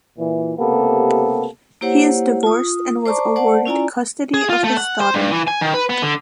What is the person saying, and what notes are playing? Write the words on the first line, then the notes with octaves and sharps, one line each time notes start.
He is divorced and was awarded custody of his daughter.
A#2 E3
C#2 C3 A#3 B3 G4 A4
A#3 E4 G4 C5 C#5 F#5
F4 D#6
C5 D5 A5 A#5 C#6 D6
C5 D5 F#5 A5
C#4 E4 F4 D5 G#5 A#5
G#4
F4
A3
F#5
C5
G2
E3
G#5
D#3
B4
B3
D3